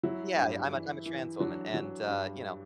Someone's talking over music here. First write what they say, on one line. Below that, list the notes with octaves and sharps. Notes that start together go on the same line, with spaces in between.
Yeah, I'm a I'm a trans woman. And, uh, you know,
F#3 E4
G2
E3
E3
F#3 D4
F#3
G2